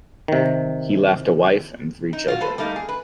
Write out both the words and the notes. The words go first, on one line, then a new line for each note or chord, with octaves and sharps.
He left a wife and three children.
C3 D#3
D#4
F4 F#4
A4 B4 C5
G3 A3 A#3 D#4
G#4
B4